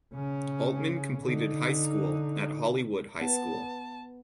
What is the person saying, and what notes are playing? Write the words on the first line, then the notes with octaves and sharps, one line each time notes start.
Altman completed high school at Hollywood High School.
C#3 C#4
D3 D#4
B3 A5